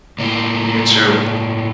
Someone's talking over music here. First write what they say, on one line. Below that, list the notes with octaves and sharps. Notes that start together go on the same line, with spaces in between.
You too.
A2 A#3